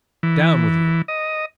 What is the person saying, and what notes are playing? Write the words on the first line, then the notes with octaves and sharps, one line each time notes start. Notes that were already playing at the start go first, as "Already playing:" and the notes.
"Down with you!"
E3
D#5